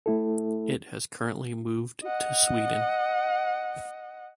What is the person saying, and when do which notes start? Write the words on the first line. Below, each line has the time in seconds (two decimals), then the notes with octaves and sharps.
It has currently moved to Sweden.
0.06 A3 E4 A4
2.04 D#5 F#5